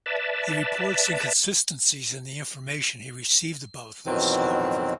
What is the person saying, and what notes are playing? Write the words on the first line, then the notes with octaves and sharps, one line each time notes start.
He reports inconsistencies in the information he received about this, however.
B4 D5 E5 A5
F2 B2 D#3 E3 F#3 C4